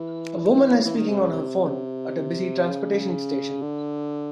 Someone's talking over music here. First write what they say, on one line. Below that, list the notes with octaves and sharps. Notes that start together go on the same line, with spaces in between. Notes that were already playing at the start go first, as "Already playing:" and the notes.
A woman is speaking on her phone at a busy transportation station.
Already playing: E3
E3
D#3
C3
C#3
C3
C#3
D3